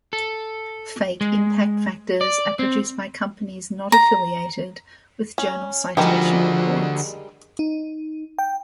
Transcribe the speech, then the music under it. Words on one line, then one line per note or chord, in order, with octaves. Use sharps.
Fake impact factors are produced by companies not affiliated with Journal Citation Reports.
A4
G#3
D5
C4
A#5
C#4
D3 D#3 F3 G3 G#3 F#4
D#4
G5